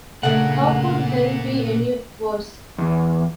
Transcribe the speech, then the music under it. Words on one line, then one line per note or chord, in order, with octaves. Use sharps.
How Could Hell Be Any Worse?
A#2 C#3 A3 D4 A#4 F#5
E2